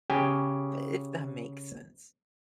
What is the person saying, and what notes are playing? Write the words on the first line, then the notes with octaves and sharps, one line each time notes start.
if that makes sense.
C#3 G4 G5 G#5